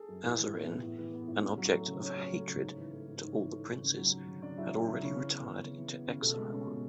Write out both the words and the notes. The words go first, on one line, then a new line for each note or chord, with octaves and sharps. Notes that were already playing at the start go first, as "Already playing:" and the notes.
Mazarin, an object of hatred to all the princes, had already retired into exile.
Already playing: G#4 A4
F#2
A2
E3
B3
A2
A2
E3
B3
A2
C#4
F#3
A3
C#3
C#4 C#5
F#3
A3
C#3
G#2
E3
A3
G#2
G#2
E3
A3
G#2
C#3
F#3
C#4
C#3
C#3 D4 D5
F#3 E4 E5
C#4
C#3 E4 E5
C#3 C#4 C#5
E3
B3
C#3
C#3
E3
B3
C#3
B2 A3 A4
G#3
C#4
B2